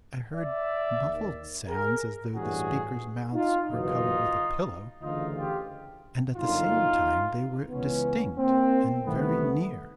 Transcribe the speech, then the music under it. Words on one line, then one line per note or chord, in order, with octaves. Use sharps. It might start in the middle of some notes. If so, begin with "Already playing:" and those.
I heard muffled sounds as though the speakers' mouths were covered with a pillow, and at the same time they were distinct and very near.
D5 E5
D#2 D#3
G#4 A#4
A1 G2 E3 F#4 G#4
D#4 F4
F#1 E2 B2 D#4 F4
D2 C#3 E3 D#4 F4
F4 G4
G1 F#2 D3 D#4 F4
C#2 C#3 E3 B3 C#4
A#3 C4
C2 C3 D#3 A3 B3